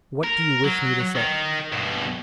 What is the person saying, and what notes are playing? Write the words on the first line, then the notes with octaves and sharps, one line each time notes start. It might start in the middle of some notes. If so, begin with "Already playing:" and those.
"What do you wish me to say?"
A#4
F#3
D#3
G2 B2